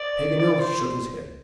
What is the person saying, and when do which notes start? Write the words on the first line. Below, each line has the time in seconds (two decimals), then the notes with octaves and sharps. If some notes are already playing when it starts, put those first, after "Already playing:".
Paganel shook his head.
Already playing: D5
0.39 D5
0.60 C5